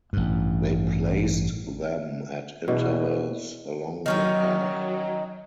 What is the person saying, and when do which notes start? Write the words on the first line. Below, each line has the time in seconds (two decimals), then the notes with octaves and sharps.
They placed them at intervals along the path.
0.13 A1 G2
2.68 E2 B2
4.06 D#3 F#3 C#4 D#4